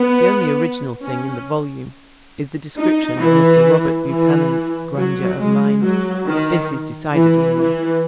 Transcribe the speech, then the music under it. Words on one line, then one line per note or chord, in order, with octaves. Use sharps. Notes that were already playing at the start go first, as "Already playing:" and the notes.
The only original thing in the volume is the description of Mr. Robert Buchanan's 'grandeur of mind.' This is decidedly new.
Already playing: B3
C#4
D#4
E3
E3
F#3
G#3
F#3
D#3
E3
E3